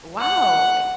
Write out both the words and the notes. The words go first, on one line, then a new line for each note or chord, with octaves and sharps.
Wow, it
F#5